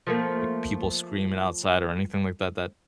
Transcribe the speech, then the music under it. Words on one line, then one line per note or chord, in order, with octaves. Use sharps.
like, people screaming outside or anything like that that
F3 A3 A#3